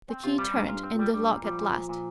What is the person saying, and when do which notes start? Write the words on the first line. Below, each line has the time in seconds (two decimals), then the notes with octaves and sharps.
The key turned in the lock at last.
0.09 C4
0.24 C3 F4
0.38 G3
0.53 G2 A#2
0.69 G2 F4
0.83 C4
0.94 A#2
0.99 G3
1.14 G2 G3
1.29 A#2
1.43 F3 G3
1.59 A#2
1.74 A#2
1.89 A#2